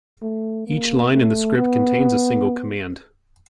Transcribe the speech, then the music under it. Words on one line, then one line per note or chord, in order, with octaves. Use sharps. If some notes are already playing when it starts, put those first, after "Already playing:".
Each line in the script contains a single command.
A3
A#3
A3
B3